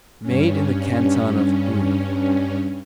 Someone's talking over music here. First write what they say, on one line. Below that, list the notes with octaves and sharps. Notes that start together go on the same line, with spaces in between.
Made in the Canton of Uri.
G2 C#4